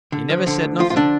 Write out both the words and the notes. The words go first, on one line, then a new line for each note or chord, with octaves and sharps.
He never said nothing.
D3
F3
D3
D2
F3 F4
F4
D3 D4